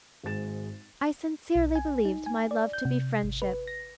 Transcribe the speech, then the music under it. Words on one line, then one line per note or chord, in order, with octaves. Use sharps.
I sincerely believed my love to be friendship.
G#1 G#2 G#3 A6 E7
B1
G#5
D#4
G#5
D5
G6
C3
G#1
B4
A#6